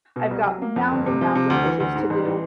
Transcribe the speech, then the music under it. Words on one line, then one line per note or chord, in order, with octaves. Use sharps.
I've got mounds and mounds of dishes to do
B2
C2
F#3
A#3
F2
G1
C3
F3
C3
D2
E3
D2
G#2
A1
E3